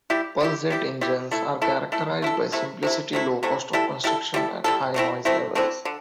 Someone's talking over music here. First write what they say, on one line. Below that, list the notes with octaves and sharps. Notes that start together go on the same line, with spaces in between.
Pulsejet engines are characterized by simplicity, low cost of construction, and high noise levels.
G3 E4 G4
G3 E4 G4
G3 E4 G4
G3 E4 G4
A3 E4 A4
A3 E4 A4
A3 E4 A4
A3 E4 A4
C3 A3 E4
C3 A3 E4
C3 A3 E4
C3 A3 E4
G3 E4 A4
G3 E4 A4
G3 E4 A4
G3 E4 A4
D3 A3 C4 E4
D3 A3 C4 E4
D3 A3 C4 E4
D3